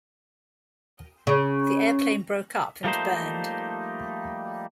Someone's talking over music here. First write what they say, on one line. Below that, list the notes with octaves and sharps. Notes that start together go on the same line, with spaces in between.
The airplane broke up and burned.
C#3
F3 G3 A3 A#3 D#4 C5